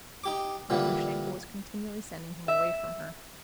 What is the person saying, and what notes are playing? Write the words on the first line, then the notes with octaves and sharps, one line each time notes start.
But Grushenka was continually sending him away from her.
D#4 G4 D6
A#2 D3 E3 G3
E5